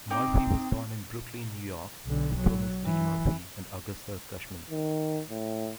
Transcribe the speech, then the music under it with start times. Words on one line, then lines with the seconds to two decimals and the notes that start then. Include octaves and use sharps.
Murphy was born in Brooklyn, New York, to Thomas D. Murphy and Augusta Cushman.
0.10 C4 D#4 G5 D6
2.06 B1 D3
2.37 F#3
2.85 E3
4.70 D#3
5.30 A2